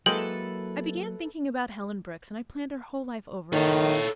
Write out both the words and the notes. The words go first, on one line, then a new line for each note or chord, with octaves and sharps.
I began thinking about Helen Brooks, and I planned her whole life over again.
F#3 G#3 A#3 E4 A4 B4 G5 F#7
D#3 A4 C#5